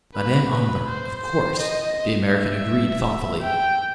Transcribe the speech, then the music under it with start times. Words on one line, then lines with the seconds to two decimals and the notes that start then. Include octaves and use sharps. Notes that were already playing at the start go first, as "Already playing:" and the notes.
"Madame Omber--of course!" the American agreed thoughtfully.
0.15 B4
0.52 B4
0.88 C5
1.24 C5
1.60 D#5
2.34 E5
3.43 G5